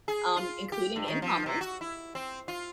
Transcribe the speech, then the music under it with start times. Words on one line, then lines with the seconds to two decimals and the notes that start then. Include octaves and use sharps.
um, including in commerce
0.08 G#4
0.36 F4
0.72 G4
0.96 G2
1.08 D#3
1.22 F3
1.46 C3
1.61 F#4
1.81 E4
2.15 C4
2.48 F4